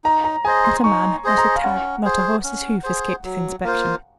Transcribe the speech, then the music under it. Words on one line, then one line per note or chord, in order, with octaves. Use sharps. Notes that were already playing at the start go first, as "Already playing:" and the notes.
Not a man, not a tag, not a horse's hoof escaped his inspection.
D#4 A#5
A#5
G#4 C5 D#5 G#5
C6
D#4 C#6
G#4 C5 D#5
A#5
F5
C#4 F#5
G#4 C5
C#4
G#4 C5
F#3
A#3 F4 C5